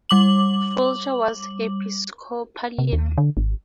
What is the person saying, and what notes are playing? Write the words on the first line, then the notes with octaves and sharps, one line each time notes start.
Folger was Episcopalian.
G3 D6 F#7
C3
D#2
D3
G#1